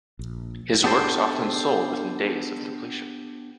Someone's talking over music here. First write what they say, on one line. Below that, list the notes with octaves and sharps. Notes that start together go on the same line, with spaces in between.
His works often sold within days of completion.
A#1
B3 D4 G4 A4 C5